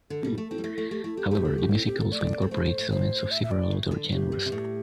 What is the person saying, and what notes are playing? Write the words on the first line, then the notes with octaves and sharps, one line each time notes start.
However, the music also incorporates elements of several other genres.
D3 A4
G3
A3
C4 E4
G3
A3
A3
A3 G4
A3 E4
C4 G4
A3 G4
C4
A3
C4 E4
G4
A4
A3 D5
C4
C4
A4
A3 C5
A3
A2
A2 C5
E5
E5
D5
A2
D3
G2
A2 G4
G2
C3
A2